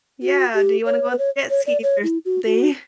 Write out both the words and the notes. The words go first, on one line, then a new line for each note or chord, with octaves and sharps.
Yeah, "Do you wanna go on the jet ski or something?"
F#4
G4
C#5
B4
C#5
C#5
D5
C#5
E4
F#4
F#4